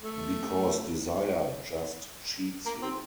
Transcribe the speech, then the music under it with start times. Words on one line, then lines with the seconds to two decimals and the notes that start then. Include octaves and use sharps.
Because desire just cheats you.
0.02 A3
2.66 A#3
2.83 C4